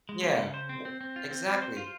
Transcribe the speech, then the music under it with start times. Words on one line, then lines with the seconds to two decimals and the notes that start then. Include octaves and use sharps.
Yeah, wo exactly.
0.09 G#3
0.23 C#4
0.39 C#3
0.54 C5
0.69 C4
0.85 C4
1.01 C4
1.16 F4
1.31 C4
1.46 C4
1.62 C5
1.77 F4